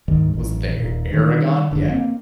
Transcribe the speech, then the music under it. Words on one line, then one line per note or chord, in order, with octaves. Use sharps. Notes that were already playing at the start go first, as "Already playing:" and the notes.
Oh, was it the E Eragon? Yeah.
D2 G#2 D#3 G3
A1
D#1 A#2
D3 D#3 F3 G3
F#1 G2 D3
A#3 C4